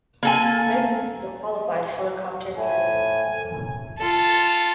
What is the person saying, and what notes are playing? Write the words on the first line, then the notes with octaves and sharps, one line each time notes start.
Smith was a qualified helicopter pilot.
A#3 A4 G#5
A2 G#5
F4 A4